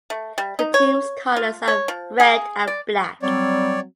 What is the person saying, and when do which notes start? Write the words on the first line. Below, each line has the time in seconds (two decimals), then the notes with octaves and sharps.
The team's colours are red and black.
0.10 A3
0.38 G3
0.59 D#4
0.74 C#5
1.36 F4
1.68 C#5
1.88 F3
2.20 G#4
2.67 D5
3.22 F#3 G3 C4 C#5 D5